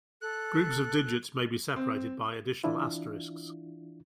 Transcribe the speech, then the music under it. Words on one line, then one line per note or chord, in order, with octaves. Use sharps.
Groups of digits may be separated by additional asterisks.
A4 F#6
C4
E3 D4 E4 F4